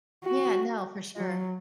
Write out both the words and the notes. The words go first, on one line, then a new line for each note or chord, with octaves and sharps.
Yeah, no, for sure.
F#4
F#3